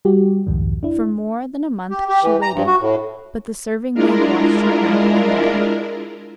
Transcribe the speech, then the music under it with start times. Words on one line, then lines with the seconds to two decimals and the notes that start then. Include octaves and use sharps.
For more than a month she waited; but the serving-maid watched her night and day.
0.05 G3 F#4 G4
0.47 C2 F2 G#2 D#3
0.83 D4 E4
1.90 G4
2.09 G4
2.23 E3
2.42 A#5
2.54 G2
2.67 F#4
2.81 A2
3.94 G#3 D4 E4 F4 A#4